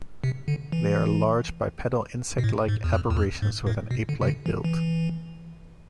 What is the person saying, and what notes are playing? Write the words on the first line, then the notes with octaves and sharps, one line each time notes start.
They are large, bipedal, insect-like aberrations with an ape-like build.
C3
D3
E3
B2
A2
G#2
E2
F2
E2
F2
G#2
A2
B2
D3
C3
D3
E3
E3